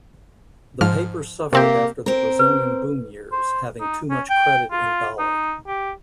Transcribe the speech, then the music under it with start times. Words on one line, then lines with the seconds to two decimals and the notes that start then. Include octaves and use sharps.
The paper suffered after the Brazilian boom years having too much credit in dollar.
0.81 G#2 F3 F6
1.53 C3 A#3 C4 G4
2.06 C4 A#4
2.39 B4
3.32 C5
3.80 D#4
4.10 C#4
4.30 G5
4.72 F4
5.19 D#4
5.67 G4